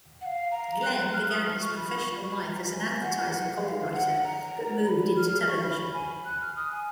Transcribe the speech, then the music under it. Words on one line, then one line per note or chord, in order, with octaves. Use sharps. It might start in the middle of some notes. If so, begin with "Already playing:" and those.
Glen began his professional life as an advertising copywriter but moved into television.
F#5
F5
A#5
F#6
F6
D#6
F6
C#6
B5
C#6
B5
A#5
A#5
G#5
F#5
F#5
F#5
F5
F#5
A#5
A#5
A#5
B5
F6
C#6
B5
B5
G#5
B5
F#6
F6
D#6
G#5